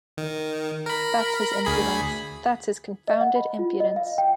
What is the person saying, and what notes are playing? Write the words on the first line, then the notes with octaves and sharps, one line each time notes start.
That’s his impudence — that’s his confounded impudence.
D#3
A#4 B5
D2 G#4 B5
D#5
F#5
B5
F4
D#5
F5
G5